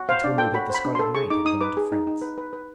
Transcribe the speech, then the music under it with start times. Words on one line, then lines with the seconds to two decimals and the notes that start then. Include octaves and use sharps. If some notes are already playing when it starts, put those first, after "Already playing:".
"He told me that the Scarlet Knight had gone to France."
Already playing: F#4
0.09 C5 F5
0.24 D4 D5
0.38 A4 G5
0.54 F#4 B5
0.70 C5 B5
0.85 D4
0.95 C6
0.99 A4
1.15 G#4 C#6
1.30 D#4 D6
1.45 D#4 D#6
1.61 B4 D6
1.77 G#4
1.92 D#4
2.07 D#4
2.22 B4
2.38 B4
2.53 B4